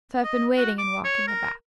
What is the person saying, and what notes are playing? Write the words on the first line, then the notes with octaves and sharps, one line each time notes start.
So I've been waiting and walking about.
D#5
F#4
D6
C#5
A#4